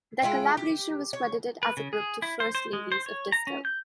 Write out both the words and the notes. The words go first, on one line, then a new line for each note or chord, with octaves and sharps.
Their collaboration was credited as a group to "First Ladies of Disco".
G#3 E4 F4 G5
G4
C#5
B4
C#3
G#4
E4
C5
C5
G#3
C5
C#5
A#5
C#4
G6